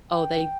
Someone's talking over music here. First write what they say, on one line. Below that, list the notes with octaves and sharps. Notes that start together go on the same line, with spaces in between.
Oh, they
G5